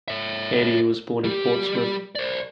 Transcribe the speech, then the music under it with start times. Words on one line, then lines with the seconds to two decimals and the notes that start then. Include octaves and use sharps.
Katy was born in Portsmouth.
0.08 C#5 E5
1.24 G3 G4
2.15 C5 D5